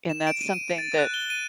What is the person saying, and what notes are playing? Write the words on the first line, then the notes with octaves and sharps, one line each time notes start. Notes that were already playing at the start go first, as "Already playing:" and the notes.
And that's something that
E7
D7
D#7
D#7
A6
F#6
G7
D#7